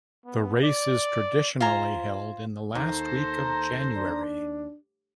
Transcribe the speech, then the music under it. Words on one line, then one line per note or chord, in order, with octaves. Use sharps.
The race is traditionally held in the last week of January.
B3
D5
F4 C5 G#5 A#5
D#2 A4 C5 A#5
D4